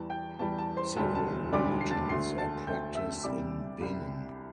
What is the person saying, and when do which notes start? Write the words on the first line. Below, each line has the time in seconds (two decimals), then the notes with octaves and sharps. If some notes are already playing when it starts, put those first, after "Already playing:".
Several religions are practiced in Benin.
Already playing: E2 E3 G3 A5
0.10 G5 G6
0.39 E2 E3 G3 A5
0.58 A5
0.77 C5 C6
0.96 E1 D2 D3 G3 A5
1.15 A5
1.53 E1 D2 D3 G3 D5 D6
1.81 C7
1.91 A5 A6
2.09 D2 D3 A3 C6 C7
2.38 A5 A6
2.67 D2 D3 A3 G5 G6
2.95 E5 E6
3.24 C2 C3 G3 D5 D6
3.81 C2 C3 G3